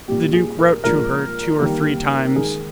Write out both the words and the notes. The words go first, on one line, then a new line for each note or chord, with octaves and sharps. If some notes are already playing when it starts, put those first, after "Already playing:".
The duke wrote to her two or three times.
A#2 G3 A#3 G4
G#4
A#4
A#2 F3 G#3 D4 A#4
D#3 G3 A#3
D#3 G#3 D#4 G#4